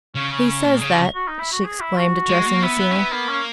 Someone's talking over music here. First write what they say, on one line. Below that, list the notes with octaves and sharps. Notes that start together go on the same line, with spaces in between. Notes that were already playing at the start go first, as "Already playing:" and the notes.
"He says that!" she exclaimed, addressing the ceiling.
C#3 C#4
C#4
C#4
A#2 C#4
C#3 G#4
F#4
F#4
D#4
E4
F#4
G#4
E4
F#4
G#3
A#3
B3 E4
B3
C#4
B3
A#3 B3
C#4